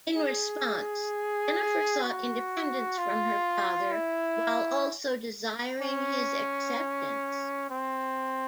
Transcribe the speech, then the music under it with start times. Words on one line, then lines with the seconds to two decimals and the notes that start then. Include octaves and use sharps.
In response, Jennifer sought independence from her father, while also desiring his acceptance.
0.16 G#4
2.03 F#4
2.98 F4
3.92 E4
5.82 C#4
7.70 C4